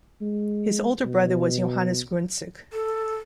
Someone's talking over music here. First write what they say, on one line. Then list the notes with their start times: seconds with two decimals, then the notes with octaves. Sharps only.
His older brother was Johannes Gruentzig.
0.21 G#3
1.04 B2
2.73 A4